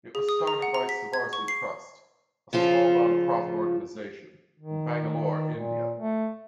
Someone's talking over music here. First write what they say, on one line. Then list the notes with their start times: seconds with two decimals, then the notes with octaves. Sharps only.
It was started by Sivasri Trust, a small non-profit organization, in Bangalore, India.
0.15 G#4
0.29 D#6
0.47 A#5
0.62 F#5
0.74 A#5
0.89 B6
1.13 G#6
1.33 C#6
1.48 C7
2.53 C#3 F3 F4 A4
4.60 D#3
5.55 A#2
5.98 A3